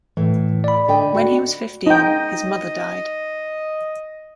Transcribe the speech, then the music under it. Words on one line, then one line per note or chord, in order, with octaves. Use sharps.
When he was fifteen, his mother died.
A2 E3
D5 B5
D3 D#5 G5
F#4
D#4 D#5 G5